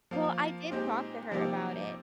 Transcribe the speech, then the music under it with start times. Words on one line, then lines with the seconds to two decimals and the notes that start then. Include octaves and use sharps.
Well, I did talk to her about it,
0.11 F3 A#3 F4
0.71 A#2 G#3 C4 D#4 G4
1.31 C3 F3 A#3 D#4 G4